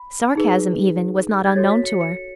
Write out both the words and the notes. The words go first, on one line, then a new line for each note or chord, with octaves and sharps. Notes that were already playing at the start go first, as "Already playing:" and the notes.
Sarcasm, even, was not unknown to her.
Already playing: B5
D#4 G#4 B4
G#6
F#4 A4 C#5 A6
B6
C#7
C#7